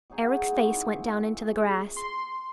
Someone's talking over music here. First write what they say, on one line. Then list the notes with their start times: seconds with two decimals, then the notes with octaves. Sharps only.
Eric's face went down into the grass.
0.10 B2 F#3 D#4 G#4
0.31 E4
0.52 A#2 C4 F#4 D6
1.36 G#4
1.97 C6